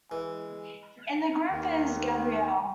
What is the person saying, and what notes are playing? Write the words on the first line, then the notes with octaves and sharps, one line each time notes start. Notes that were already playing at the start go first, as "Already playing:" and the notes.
In the group is Gabrielle.
E3 G#3
D#2 D#3